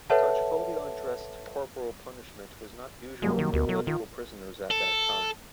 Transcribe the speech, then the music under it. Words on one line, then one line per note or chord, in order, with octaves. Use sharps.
Such fully undressed corporal punishment was not usual for political prisoners at that time.
A4 B4 C#5 E5 F#5 A5
C2 F#2 G#3 A#3
D#3
D2 B2 A#4
F#3
D#3 F4
A4